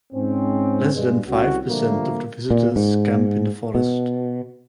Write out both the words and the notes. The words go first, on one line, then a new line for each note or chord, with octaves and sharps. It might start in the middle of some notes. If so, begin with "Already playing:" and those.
Less than five percent of the visitors camp in the forest.
G#2 C4 C#4
G2 G#3
C2 C#4 F#4
A#2 D3 F3 G3 A3 A#3
A#2
G#2
B2